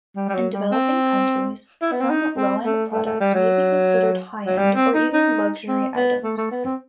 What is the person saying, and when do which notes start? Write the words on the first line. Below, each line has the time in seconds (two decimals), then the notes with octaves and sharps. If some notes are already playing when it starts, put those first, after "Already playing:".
In developing countries, some low-end products may be considered high-end or even luxury items.
0.16 G3
0.29 G3
0.35 F#3
0.53 G3
0.72 C4
1.82 E4
1.92 B3
2.00 C4
2.10 D#4
2.37 C4
2.65 A3
2.92 A3
3.06 A3
3.20 G3
3.34 F#3
4.46 F#3
4.58 G3
4.76 C4
4.94 D#4
5.13 D#4
5.68 C4
5.96 B3
6.23 A3
6.37 A3
6.51 B3
6.65 C4